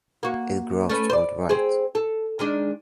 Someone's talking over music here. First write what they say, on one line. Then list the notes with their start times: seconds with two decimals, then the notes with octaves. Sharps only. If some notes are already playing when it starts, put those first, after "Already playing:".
It grossed worldwide.
0.23 A#3 F#4
0.89 A3 C#4 B4
1.10 C5 D5
1.49 C4 G#4
1.95 A4
2.39 D#3 G#3 D4